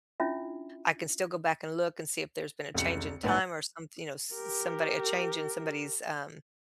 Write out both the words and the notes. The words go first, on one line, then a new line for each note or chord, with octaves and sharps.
I can still go back and look and see if there's been a change in time or somethi you know, s somebody a change in somebody's, um,
C#4 D4 E4 F4 E5
F1 C#2 C#7
A#1 G#2 B4 F#5 G#5 A6
G4 A#4